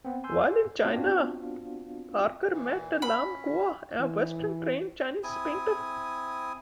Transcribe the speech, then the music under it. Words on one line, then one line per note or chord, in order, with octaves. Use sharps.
While in China, Parker met Lam Qua, a Western-trained Chinese painter.
B3 C4
G#5 C6 E6 G6
B3 C4 D4 F4 F#4 F5
A#2 E3
C#4 B5
E3
C4 E4 G#5 D#6